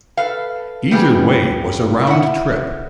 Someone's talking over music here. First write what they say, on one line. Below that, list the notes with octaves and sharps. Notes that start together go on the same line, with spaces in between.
Either way was a round trip.
A4 B4 F5
G3 B3 D#4 F4 G4 G#4
E4 F#5